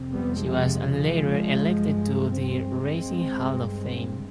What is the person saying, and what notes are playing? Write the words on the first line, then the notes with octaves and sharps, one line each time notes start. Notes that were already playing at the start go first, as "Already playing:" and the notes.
She was later elected to the Racing Hall of Fame.
Already playing: F2 C3
G3 B3
F3 G#3
G2
G#3 C4
G2